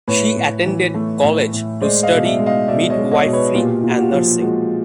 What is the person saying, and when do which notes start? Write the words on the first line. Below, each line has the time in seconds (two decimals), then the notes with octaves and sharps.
She attended college to study midwifery and nursing.
0.08 A2 B4 C#5
0.37 A2
0.66 E3
0.94 A3
1.23 A2
1.53 A2
1.81 G#3 C5 D5
2.03 D#5 F5
2.10 B2
2.24 D5 E5
2.39 G#3
2.46 D#5 F5
2.68 B2 D5 E5
2.90 C#5 D#5
2.97 G#3
3.12 C#5 D#5
3.26 B2
3.33 B4 C#5
3.55 A#2 F4 G4
3.83 A#2
3.90 F#4
3.98 F4 G4
4.13 F3
4.41 G#3 F#4